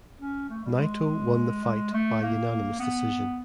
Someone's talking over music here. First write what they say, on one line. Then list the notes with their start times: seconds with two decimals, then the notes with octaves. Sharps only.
Naito won the fight by unanimous decision.
0.21 C#4
0.49 A3
0.64 G3
0.78 G#3
1.64 G#3
1.93 A3
2.22 A#3
2.80 B3